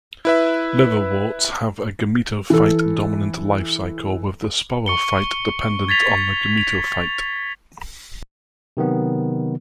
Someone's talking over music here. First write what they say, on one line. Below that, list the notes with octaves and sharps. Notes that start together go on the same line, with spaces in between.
Liverworts have a gametophyte-dominant life cycle, with the sporophyte dependent on the gametophyte.
E4 B4 E5
E3 A4
C#6 C#7 G7
G#6 A6 B6 F7
F7
C3 D#3 F#3 B3